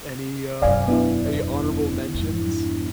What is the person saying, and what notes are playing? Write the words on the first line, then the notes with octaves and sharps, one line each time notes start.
Any, uh, any honorable mentions?
E1 F#2 D5 F5 G#5
B3 D4 E4
F2 G#2